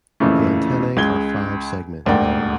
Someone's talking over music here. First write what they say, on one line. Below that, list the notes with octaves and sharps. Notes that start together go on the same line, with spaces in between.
The antennae are five segmented.
F2 A#2 C#3 E3 A3
C#2 G#3 G#6 G7
D#1 D2 G#2 A#4 D5 G5